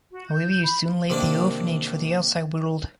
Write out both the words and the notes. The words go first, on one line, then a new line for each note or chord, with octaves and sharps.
However, he soon left the orphanage for the outside world.
F#4
G6
B5
C3 D#3 A#3 D4